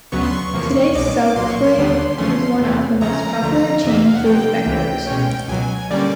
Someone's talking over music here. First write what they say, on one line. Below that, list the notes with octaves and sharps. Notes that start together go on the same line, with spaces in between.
Today, Subway is one of the most popular chain food vendors.
D2 C#3 F#3 B3 C#6
C6
C#6
E2 C3 F3 A#3
C2 B2 G#3 D6
A#2 F#3 A#3 C6
C#6
C6
D#2 D3 G3 B3 D4
E2 C#3 F3 A3 C#4 C6
E2 C3 E3 A3 C4
D2 C#3 F3 G#3 C#4 A#5
D2 D3 F3 A3
E2 C3 E3 G#3 E5
F5
F5
F#5
C3 F3 A#3 G5
C#2 C3 E3
B2 G#3 C#4
C#2 B2 F#3 G#5
D3 G3 A#3 C#4 D5